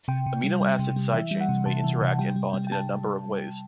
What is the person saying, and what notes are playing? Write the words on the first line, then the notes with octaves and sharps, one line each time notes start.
Amino acid side chains may interact and bond in a number of ways.
C3 G5
C3
G3
G3
C3
G3
E3 E5
G3
F#5
C3
C3 A5
E3
C3
G3 G5
G3
G3
G5
G3 A5